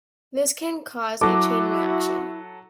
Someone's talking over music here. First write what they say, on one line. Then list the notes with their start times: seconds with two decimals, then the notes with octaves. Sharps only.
This can cause a chain reaction.
1.21 F#3 E4 F#4 A4 D6